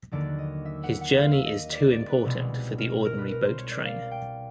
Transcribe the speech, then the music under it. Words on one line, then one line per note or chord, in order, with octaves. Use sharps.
His journey is too important for the ordinary boat-train.
D#2 D3 F#3 D5
D#5
E5
F#5
F#5
F5
E5
D#5
D5
D5
B4
C2 B2 G#3
A#4
A#4
B4
A#4
C5
C#5
D5
F5
G5